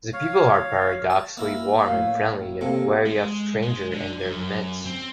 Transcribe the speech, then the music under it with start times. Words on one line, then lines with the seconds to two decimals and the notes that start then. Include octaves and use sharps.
The people are paradoxically warm and friendly yet wary of strangers in their midst.
0.13 C#5 F5
1.10 A5
1.37 A#3 E4 A#4
1.85 A2 F5
2.61 C3 A#3 A4
3.06 G#3
3.62 G#3
3.91 D3
4.13 G#5
4.26 F#2
4.86 C4